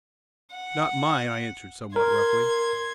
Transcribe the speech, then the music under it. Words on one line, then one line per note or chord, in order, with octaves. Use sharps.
"Not mine," I answered somewhat roughly.
F#5
A#4 C6 G#6